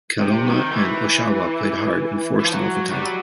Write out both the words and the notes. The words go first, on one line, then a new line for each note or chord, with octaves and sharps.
Kelowna and Oshawa played hard and forced an overtime.
C3
D#3
E3
E3
F3
F#3
G3
F#3